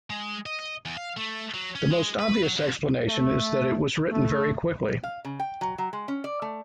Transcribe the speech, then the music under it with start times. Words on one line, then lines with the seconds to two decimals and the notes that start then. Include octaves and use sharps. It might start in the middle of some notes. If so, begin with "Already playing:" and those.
The most obvious explanation is that it was written very quickly.
0.10 G#3
0.46 D#5
0.85 E2
0.97 F5
1.17 A3
1.54 F#3
1.75 C#4
1.91 G#3
2.19 B4
2.43 F#3
2.56 F2
3.08 A3
4.11 A3
5.04 F5
5.25 C#3
5.40 G5
5.61 F#3
5.78 F#3
5.93 G#3
6.08 C#4
6.24 D5
6.42 A3